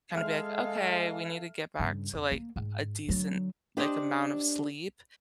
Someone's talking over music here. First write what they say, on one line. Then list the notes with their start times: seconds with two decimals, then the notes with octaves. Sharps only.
kinda be like, "Okay, we need to get back to, like, a a decent, like, amount of sleep,"
0.15 G#3 A4 E5 F5 F6
1.79 G2 C#3
2.13 F2
2.31 A#3
2.56 G#2
3.08 D3 F#3
3.77 D4 G4 C5 D5 D#5